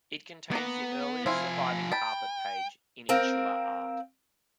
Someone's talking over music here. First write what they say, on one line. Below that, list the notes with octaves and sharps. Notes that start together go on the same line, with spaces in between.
It contains the earliest surviving carpet page in Insular art.
A#3 B3 A#5
F3 C4 E4 F5 G#5
G5 A5 B5
C4 A#4 F5